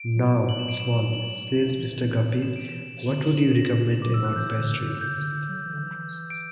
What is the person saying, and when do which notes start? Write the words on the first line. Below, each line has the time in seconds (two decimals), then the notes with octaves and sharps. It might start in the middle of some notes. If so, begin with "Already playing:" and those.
"Now, Small," says Mr. Guppy, "what would you recommend about pastry?"
Already playing: D7
0.16 F#3
0.49 F#7
0.59 E7
0.69 D7
0.80 E7
1.13 F#7
1.78 E3
2.42 E7
2.56 D7
2.69 E7
3.07 D3 F#7
3.24 F#7
3.34 C#3
3.39 B2 E7
3.55 A#6
3.72 C#3
3.93 C#3
4.02 F#3 D6
4.14 E3 E6
4.24 F#6
4.36 E3 G6
4.58 D3
4.79 D3
5.01 C#3 G6
5.18 D3
5.33 D3
5.49 F#3
5.66 E3
5.73 D3
5.83 E3
6.30 D7